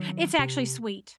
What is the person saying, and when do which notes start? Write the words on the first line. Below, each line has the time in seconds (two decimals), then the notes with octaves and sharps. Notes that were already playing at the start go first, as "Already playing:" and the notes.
It's actually sweet.
Already playing: D#3 F#3
0.39 C3